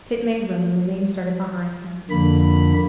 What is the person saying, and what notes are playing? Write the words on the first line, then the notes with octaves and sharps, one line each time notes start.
Tit made room, and Levin started behind him.
F2 D3 A#3 B5